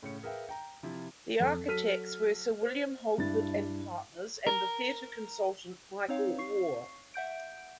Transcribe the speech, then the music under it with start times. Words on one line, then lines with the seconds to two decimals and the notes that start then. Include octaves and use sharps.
The architects were Sir William Holford and Partners and the theatre consultant Michael Warre.
0.03 A2 C#3 C#4 C#7
0.23 G#4 A#4 B4 E5 F5 G5
0.49 G5 A#5
0.83 C3 F3 E4 F4
1.40 F2 A4
1.68 F#3 A4 F6 B6 D#7
2.62 C5
3.18 G2 D4 E4 A6
4.47 A#4
6.09 C4 D#4 C#5 F5
6.38 C#6 C7
7.14 E5 F#5 G6 D7